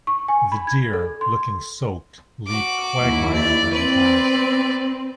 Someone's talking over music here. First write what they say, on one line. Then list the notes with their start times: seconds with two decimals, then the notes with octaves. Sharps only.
The deer, looking soaked, leave quagmires where they pass.
0.07 C#6
0.28 G#5
0.52 B5
0.67 G#6
0.93 A4
1.21 C6
2.47 F#4 D6
3.00 D#2 E4
3.33 D5
3.73 C4 B4 D5